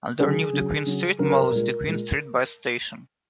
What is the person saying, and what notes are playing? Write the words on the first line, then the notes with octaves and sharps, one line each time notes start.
Underneath the Queen Street Mall is the Queen Street Bus Station.
C#3 F#3 G#4
C#3 F#3
C#3 F#3
C#3 F#3 A#4
A#4
A#4
A#2 G#3 A#4
A#2 G#3